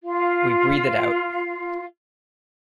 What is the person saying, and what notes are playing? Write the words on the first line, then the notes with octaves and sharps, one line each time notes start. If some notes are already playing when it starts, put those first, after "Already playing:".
We breathe it out.
F4 F5